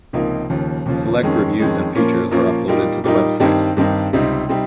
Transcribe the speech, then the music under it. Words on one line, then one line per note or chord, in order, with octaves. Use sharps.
Select reviews and features are uploaded to the website.
C#2 C3 F3 A#3 D#4
D#2 C#3 F3
D#2 C#3 F3
F2 D#3 G#3 C#4
F2 D#3 G#3 C#4
A#2 F3 A#3 C#4
A#2 F3 A#3 C#4
A#2 G3 A#3 D#4
A#2 G3 A#3 D#4
G2 D#3 G3 C4 D#4
G2 D#3 G3 C4 D#4
C#2 C3 G3 C4 D#4
C3 G3 C4 D#4